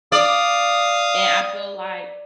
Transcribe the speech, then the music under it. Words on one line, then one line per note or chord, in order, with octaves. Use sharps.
and I feel like
D5 F5 D#6